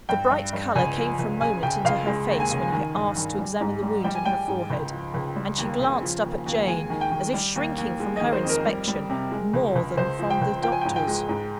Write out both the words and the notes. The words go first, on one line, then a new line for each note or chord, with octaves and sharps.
The bright colour came for a moment into her face, when he asked to examine the wound in her forehead; and she glanced up at Jane, as if shrinking from her inspection more than from the doctor's.
G2 G5
G2
G2
C#2 G#5
F3
C#2
C#3 G#5
C#3 G5
C#2 F5
G#3
D#2
G#5
C#3
D#3
G2
D#3
G3
G#2
G3
G3 G5
G#5
G3 G5
G#2
C#2
F3
C#2
G3
D#2
C#3
F3
D#2
D#2
G#3 G#5
D#3
G5
D#3
G3
D#2
D#2
G#3
D#3 D#5
C5
F2
A#4
G3
G3
C3
G#3
C#2
C#2
C#2 C5
F3
G5
C#2
F3 G5
G#5
G#2 G5
G5
G#3
G#2